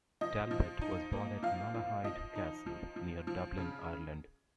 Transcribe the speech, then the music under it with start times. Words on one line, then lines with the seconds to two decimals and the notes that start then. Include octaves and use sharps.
Talbot was born at Malahide Castle near Dublin, Ireland.
0.21 F3 D#5
0.51 F3
0.81 D#4
1.13 A#3
1.43 F3 F5
1.74 F3
2.04 F3 D#5
2.35 D#4
2.66 F3
2.96 F3
3.27 F3
3.57 C#3